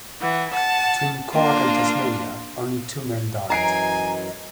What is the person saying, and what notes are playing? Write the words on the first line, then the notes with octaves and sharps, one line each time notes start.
Between Cork and Tasmania only two men died.
E3 F#5
F#5 A5
A#3 D4 F4
F#2 E3 F#3 D#5 G#5 A#5 C7 D7